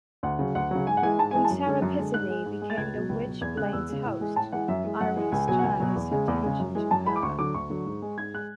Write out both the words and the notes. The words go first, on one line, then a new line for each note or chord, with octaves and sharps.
When Sara Pezzini became the Witchblade's host, Irons turned his attention to her.
D2 F#5
C#3 F#3
D2 F#5
C#3 F#3
G#2 G#5
F#5
E3 G#3 G#5
G#2 A5
E3 G#3 G#5
A5
F#2
D3 G#3
F#2
D3 G#3
G#2 F#6
G#3
G#2
G#3
A6
C#2 G#6
B2 F#3
C#2
B2 F#3
E2 G#6
C#3 G#3 F#6
E2 E6
C#3 G#3
A2
E3 G#3
A2 A5
E3 G#3 F#5
F#2 E5
E3 G#3
F#2 F#5
E3 G#3
C#2 G#5
B2 F#3 G#5
F#5
C#2 G#5
B2 F#3
E2
C#3 G#3
E2
C#3 G#3
F#2
E3 G#3
F#2 A5
E3 G#3 B5
D6
D2 C#6
D3 F#3 D6
D2 C#6
D3 F#3
G#2
G#3
G#2 G#6
G#3 F#6